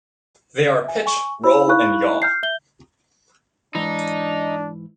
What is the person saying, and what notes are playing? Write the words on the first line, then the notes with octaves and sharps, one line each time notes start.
They are pitch, roll and yaw.
E5 G#5
G#5 C#6
E4 C5 C#5 B5 E6
D#4 E4 F5 B5 C#6 F#6
F6 G6 C7
E5 G6 G7
G#2 E3 D4 D#4